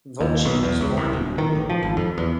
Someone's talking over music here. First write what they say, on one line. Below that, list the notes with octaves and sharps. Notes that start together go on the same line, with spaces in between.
Voci was born in Italy.
D#2
B1
E2
C#2
C2
D1
D#3
A1
F3
G#1
F2
E2